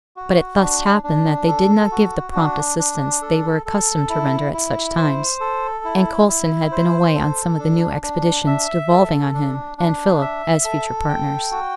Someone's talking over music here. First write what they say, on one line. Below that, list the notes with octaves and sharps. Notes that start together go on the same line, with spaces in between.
But it thus happened that they did not give the prompt assistance they were accustomed to render at such times; and Coulson had been away on some of the new expeditions devolving on him and Philip as future partners.
F#4
D4
D4
A4
F#4
D4
D4
A4
A4
E4
E4
C5
A4
E4
E4
C5
A4
D4
D4
E5
A4
D4
D4
E5
A4
G5
F#4